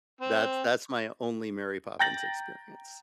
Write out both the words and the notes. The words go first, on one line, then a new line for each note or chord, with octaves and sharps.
That's that's my only Mary Poppins experience.
C4
G5 A#5 G6 A6 A#6 F#7